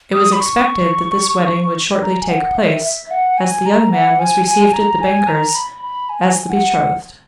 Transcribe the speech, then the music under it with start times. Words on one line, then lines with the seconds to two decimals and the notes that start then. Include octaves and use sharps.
It was expected that this wedding would shortly take place, as the young man was received at the banker's as the betrothed.
0.13 D#6
0.32 B5
0.40 C#6
2.03 A#5
2.22 G#5
2.29 F#5
2.57 E5
2.84 E5
3.11 F#5
3.38 G#5
3.66 A#5
3.92 F#5
4.19 G#5
4.46 G#5
4.74 A#5
5.01 G#5
5.28 A#5
5.55 B5
5.82 B5
6.09 G#5
6.42 G#5
6.50 F#5